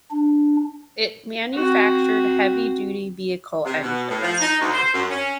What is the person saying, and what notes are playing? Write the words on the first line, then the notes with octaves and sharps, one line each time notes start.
It manufactured heavy duty vehicle engines.
D4
C4 F#4
C3
B2
A2
F3
D#4
D2
C5
F#2
C#4